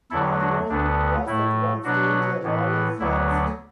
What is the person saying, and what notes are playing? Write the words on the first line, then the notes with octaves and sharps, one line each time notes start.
Quernmore was at one stage a Royal Forest.
E2 D3 F#3 E4 A4
D4 F#4
D2 D3 B3 D4
A2 A3 E4
B2 F#3 B3 D4 F#4
A2 E3 B3
D2 D3 F#3 B3 E4
D4